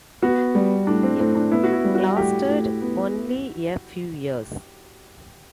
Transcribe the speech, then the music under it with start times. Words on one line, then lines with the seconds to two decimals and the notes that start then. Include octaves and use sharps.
It lasted only a few years.
0.22 B3 F#4
0.55 G3
0.87 A2 D4
1.03 C4
1.20 A2 C4
1.35 D4
1.51 B3 E4
1.64 F#4
1.73 E4
1.84 G3
1.95 F#4
2.16 A2 G4
2.48 A2
2.81 B3